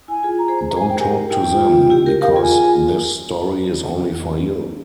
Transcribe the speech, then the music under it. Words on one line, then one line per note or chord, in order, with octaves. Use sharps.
Don't talk to them, because this story is only for you.
E4 G#5
F4 G#4
A#5
G#4 C5
C5
A#5
G#4 C5 G#5
G5
G4 A#4 G#5
E4 G5
F4
F4
E4 G4
G4 A#4
G4 A#4 F5
G5
F4 G#4
G#5